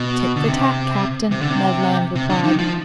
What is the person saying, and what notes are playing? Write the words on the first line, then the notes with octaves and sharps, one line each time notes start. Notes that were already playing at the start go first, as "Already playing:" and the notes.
"Tit for tat, captain," Ned Land replied.
Already playing: B2
D3
C3
C3
D3
C3
C3
D3
D#3
F3